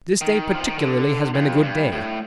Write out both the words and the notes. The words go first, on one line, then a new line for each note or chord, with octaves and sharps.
This day particularly has been a good day.
D#3
F3
D#3
D3
F2
G2
A2